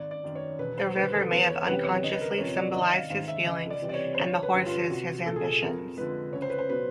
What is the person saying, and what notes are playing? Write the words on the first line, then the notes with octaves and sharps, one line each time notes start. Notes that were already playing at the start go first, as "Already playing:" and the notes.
The river may have unconsciously symbolized his feelings and the horses his ambitions.
Already playing: G#1 D5
D5
F#2 D#3
C#5
E1 B4
C5
D#2 D3 B4
A4
E2 B4
C#5
C3 E3 G3 B4
C#5
G1 D#5
B4
A#4
F2 C3 F3 C#5
D5
G#1 D#5
F5
G#2 D#3 F5
E5
C#2 D#5
D5
C3 E3 G3
D5
C#5
C5
G1 C#5
B4
G2 D3 G3
F4
C2 F#4
A#2 F#3 A4
G#4
A4
F2 A#4
D3 F3 G#3 B4
C#2 C#5
C5
B4
C5
B2 F#3 B4